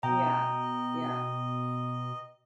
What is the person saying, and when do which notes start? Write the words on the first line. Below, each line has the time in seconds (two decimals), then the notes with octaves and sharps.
Yeah. Yeah.
0.03 B2 D#5 G5 A#5